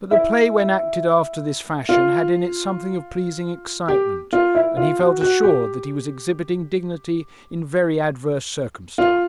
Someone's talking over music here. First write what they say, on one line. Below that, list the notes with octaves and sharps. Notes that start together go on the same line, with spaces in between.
But the play when acted after this fashion had in it something of pleasing excitement, and he felt assured that he was exhibiting dignity in very adverse circumstances.
E4
F4
G4
F4
E4
F4
F#4
F#4
G4
F4